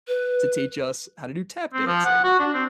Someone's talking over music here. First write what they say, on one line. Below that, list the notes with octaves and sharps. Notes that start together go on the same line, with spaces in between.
to teach us how to do tap dancing,
B4
C4
F3
F#5
F#4
D4
C4